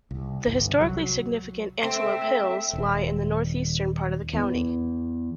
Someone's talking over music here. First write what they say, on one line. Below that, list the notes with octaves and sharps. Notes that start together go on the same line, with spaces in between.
The historically-significant Antelope Hills lie in the northeastern part of the county.
C2
G1 C2
C2 F#3
A3 C4 E5
D#1
E2